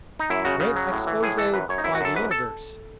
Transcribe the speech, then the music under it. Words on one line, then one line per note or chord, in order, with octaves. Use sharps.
Great Expose by the 'Universe'!
D#4
F#2 E4
C#3 F#4
C#3
F#3
A2
E3
A2 G#4
E3 A4
F#2 B4
F#2 C#5
D#4
F#2 E4
F#4
F#2 A4
G#2 B4
A4